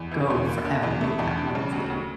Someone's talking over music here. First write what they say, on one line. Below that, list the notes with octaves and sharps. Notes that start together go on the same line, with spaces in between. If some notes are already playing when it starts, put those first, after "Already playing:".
go forever in that one thing,
Already playing: E2
E3
E2
A#3
D3
E2
A3
E2
D4
C#3
D2
D2